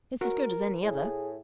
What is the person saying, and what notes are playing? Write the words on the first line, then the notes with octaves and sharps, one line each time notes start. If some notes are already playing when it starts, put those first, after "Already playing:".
"It is as good as any other."
F#4 A#4
A2 G#4